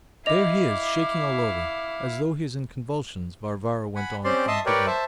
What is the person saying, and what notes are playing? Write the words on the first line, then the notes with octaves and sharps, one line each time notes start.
"There he is shaking all over, as though he is in convulsions!" Varvara went on indignantly.
E4 D#5 F5 D6 F7
F#5 G#5 B5
C4 C#4 G4 C5 D5 C6
D#5 E5 A5 C6 D#6
G4 A#4 B4 C#5 D5 G5
C5 E5 A5